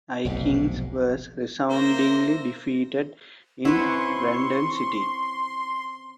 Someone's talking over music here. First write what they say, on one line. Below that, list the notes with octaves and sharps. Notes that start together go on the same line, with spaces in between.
Aikins was resoundingly defeated in Brandon City.
F1 B1 G#2
A#3 C5 E5 A#6
C4 C#4 E4 B4 F#5 C6 C#6